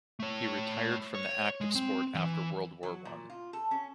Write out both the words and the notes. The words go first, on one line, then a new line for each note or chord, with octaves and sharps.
He retired from active sport after World War One.
A3 C#5
C#5
G#3
C4
E3
F#3
A#2
F4
A4
C#4